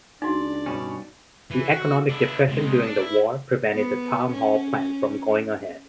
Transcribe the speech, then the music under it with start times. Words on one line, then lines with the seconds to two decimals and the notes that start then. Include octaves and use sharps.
The economic depression during the war prevented the town hall plan from going ahead.
0.22 C#2 D4 D#4 F#4 D5
0.66 G2 B2 C#4
1.51 E3
1.70 F#4
2.09 D4 E4
2.49 C3 G#3
2.83 D5 A5
3.01 E4
3.73 B3
4.33 C#4